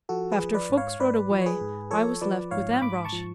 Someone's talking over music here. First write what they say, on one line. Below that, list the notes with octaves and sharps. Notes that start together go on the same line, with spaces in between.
After Fuchs rode away, I was left with Ambrosch.
F3 F#4 A4
G#4 B4
F3
B4 D5
G#2
C#5 F5
G#2 B4 D5
F3
C#5
G#4 B4
G#2
F3 A4 C#5
F3 B4 D5
G#2 C#5 F5
G#2 B5 D6
A5 C#6
F3